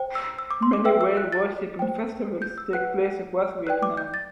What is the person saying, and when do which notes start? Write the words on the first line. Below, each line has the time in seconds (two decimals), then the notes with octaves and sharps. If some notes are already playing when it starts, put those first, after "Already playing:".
Many whale worshiping festivals take place across Vietnam.
Already playing: C5 G5
0.15 E6
0.39 E6
0.51 D6
0.63 C6
0.73 D6
0.85 B4 E5 G5 E6
1.01 E6
1.17 F#6
1.32 A6
1.79 C5 G5
2.42 G6
2.58 E6
2.73 B4 F#5 F#6
3.67 B4 D5 G5 F#6
3.83 D6
3.97 G6
4.14 A6